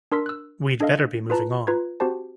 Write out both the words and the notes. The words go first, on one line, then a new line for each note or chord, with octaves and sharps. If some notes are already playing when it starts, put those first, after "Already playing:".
We'd better be moving on.
D4 A#4 C6 E6 B6
E6 F#6
D4 A4 D#5 F5
F4 B4 A5 A#5
F4 B4 A#5 G#6
C4 F#4 G4 C5 A5